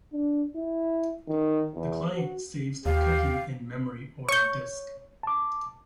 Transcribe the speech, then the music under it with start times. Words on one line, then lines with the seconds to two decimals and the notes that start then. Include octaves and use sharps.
The client saves the cookie in memory or on disk.
0.13 D4
0.55 E4
1.28 D#3
1.74 E2
2.15 F#4
2.86 D#2 G4 F5
4.29 C#5 C#6 G6
5.23 A5 D6